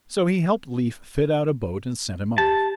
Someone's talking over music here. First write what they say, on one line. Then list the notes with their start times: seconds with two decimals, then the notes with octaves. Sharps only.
So he helped Leif fit out a boat and sent him off.
2.38 G4 A5